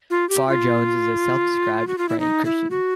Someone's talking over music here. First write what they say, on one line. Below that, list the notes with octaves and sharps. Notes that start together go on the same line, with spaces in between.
Farr-Jones is a self-described 'praying' Christian.
F4
G4
F4
F#4
F4
E4
D#4
E4
F#4